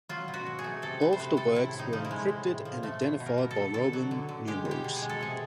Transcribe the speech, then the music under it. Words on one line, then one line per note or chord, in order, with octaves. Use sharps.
All of the works were encrypted and identified by Roman numerals.
F#3 F4
B2
F#4
F#3
G#4
A3
C3 A4
C3 B4
C5
C3 B4
C3 A4
A2 E4
A2
D#4
F3 D#4
E4
G#3
A2
A2
F3
A3
B2
B2
A#4
B2
A4
B2
D3 A4
F#3
D3
D3
G#3 G4
B2
G4
B2
G#4
G#3
A4
C3 G#4